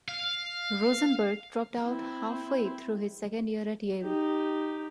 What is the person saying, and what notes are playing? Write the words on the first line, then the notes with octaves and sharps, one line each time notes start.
Rosenberg dropped out halfway through his second year at Yale.
F5
C4 E4
D#4 G4